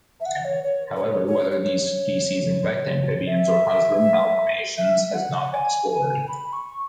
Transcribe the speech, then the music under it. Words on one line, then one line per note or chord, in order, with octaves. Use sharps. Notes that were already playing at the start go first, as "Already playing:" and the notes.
However, whether these species infect amphibians or cause limb malformations has not been explored.
E5
F#5
C#5
C#5
B4
C#5
C#5
C#5
E5
E5
F#5
G#5
G#5
B5
C#6